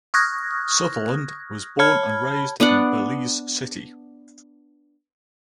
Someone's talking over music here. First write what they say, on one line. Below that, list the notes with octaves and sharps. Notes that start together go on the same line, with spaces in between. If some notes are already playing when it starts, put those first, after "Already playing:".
Sutherland was born and raised in Belize City.
C#6 D#6 F6 F#6 G#6 A#6
C#5 A5 B5 F6 G#6
B3 D4 D5 F#5